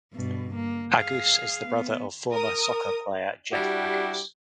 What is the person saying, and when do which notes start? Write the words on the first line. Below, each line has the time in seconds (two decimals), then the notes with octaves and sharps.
Agoos is the brother of former soccer player Jeff Agoos.
0.14 G2 B2
0.56 A#3
0.96 G#4 F5
1.69 B3
2.32 A#4 D#6
3.52 G3 D4 E4 F#4 G4